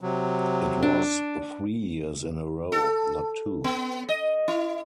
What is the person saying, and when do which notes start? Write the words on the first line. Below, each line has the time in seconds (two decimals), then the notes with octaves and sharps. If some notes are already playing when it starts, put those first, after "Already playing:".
It was three years in a row, not two.
0.01 C3 F#3
0.83 D4
2.72 A4
3.64 B3
4.09 D#5
4.48 E4